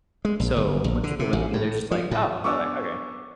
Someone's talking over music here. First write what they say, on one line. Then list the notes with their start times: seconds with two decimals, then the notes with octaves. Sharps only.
so when people look at me, they're just like, "Oh," and they're like, "Okay,"
0.25 G#3
0.40 A#1
0.56 G1
0.84 A#1
1.04 D3
1.19 C3
1.33 A1
1.53 A2
1.91 F3
2.11 A2
2.44 B3 C#4 D4 C#6 D6 E6